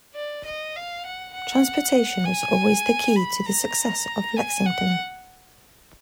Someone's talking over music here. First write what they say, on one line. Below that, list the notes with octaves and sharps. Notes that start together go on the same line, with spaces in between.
Transportation was always the key to the success of Lexington.
D5
D#5
F5
F#5
F#5
G#5
B5
A#5
G#5
F#5